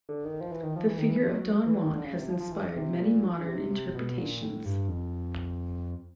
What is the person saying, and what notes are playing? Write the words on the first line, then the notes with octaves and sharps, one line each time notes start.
The figure of Don Juan has inspired many modern interpretations.
D3
D#3
F3
E3
D#3
F3
E3
D#3
E3
F3
F#3
E3
D#3
D3
C#3
C3
F3
F3
E3
C3
A#2
C#3
C3
C3
B2
A#2
A2
G2
F2